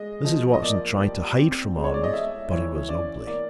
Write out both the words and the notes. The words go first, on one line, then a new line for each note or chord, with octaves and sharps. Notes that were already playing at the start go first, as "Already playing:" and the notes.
Mrs. Watson tried to hide from Arnold, but he was ugly.
Already playing: G#3 D#5
F3 D#5
D#5
A#3 D5
G3
C4
G#3
C#5
D5
D#5
A3 E5
E3 C#5
C#4 D5
A#3 D5